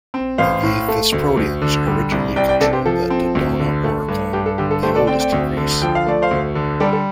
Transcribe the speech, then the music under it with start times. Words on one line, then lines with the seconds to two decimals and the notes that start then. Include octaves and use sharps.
The Thesprotians originally controlled the Dodona oracle, the oldest in Greece.
0.14 C4
0.38 A1 C5 F5
0.63 A2
0.89 A3
1.12 D2
1.37 D2
1.62 D3
1.87 G3
2.12 C2
2.36 C2 D5 G5
2.48 D5 G5
2.61 C3 A4 D5
2.73 G4 C5
2.85 F3 A4
3.10 C4
3.35 D2
3.59 D3
3.84 A3
4.08 G2
4.33 G2 G4
4.46 A4
4.58 D3 G4
4.71 A4
4.83 A3 G4 C5
4.95 A4 D5
5.07 C4 D5 G5
5.20 D5 G5
5.32 D2
5.57 D3
5.82 F3 G5
5.95 F5
6.06 A3 D5
6.22 C5 F5
6.31 D2
6.55 D3
6.80 G3 A4 D5
6.93 A4